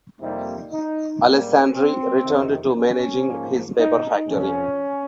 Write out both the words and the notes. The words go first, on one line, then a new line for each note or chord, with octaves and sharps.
Alessandri returned to managing his paper factory.
F2 C3 G3 A#3 D#4
D#4
G#2 G3 A#3
C4
F2 C3 D#3
C#4
G#2 F3 A#3
D#4
F2 C3 F3 C#4